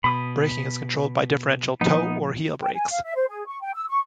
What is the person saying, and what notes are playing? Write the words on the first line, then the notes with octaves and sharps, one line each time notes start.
Braking is controlled by differential toe or heel brakes.
B2 B5 D#6
A#2 F3 B3 D#4
G5
G#5
F5
E5
C5
G#4
C#6
G5
E6
C#6